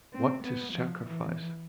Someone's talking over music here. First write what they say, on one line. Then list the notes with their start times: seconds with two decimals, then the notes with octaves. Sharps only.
What to sacrifice!
0.12 C4
0.42 B3
0.72 F3
1.02 E3